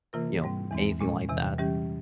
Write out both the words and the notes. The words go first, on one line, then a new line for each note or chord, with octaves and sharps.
you know, anything like that?
C3 E3 A#3 F4 A#4
G#2 G3 C4
E2 E3 G#3 C4
A#2 G#3 C#4
E2 C3 E3
E3 G3 C#4 G4